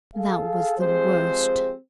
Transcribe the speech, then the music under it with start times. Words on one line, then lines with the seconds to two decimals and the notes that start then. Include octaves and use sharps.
That was the worst!
0.15 G#4 A4 F5
0.78 F3 G#3 C4 G4 G#4 C5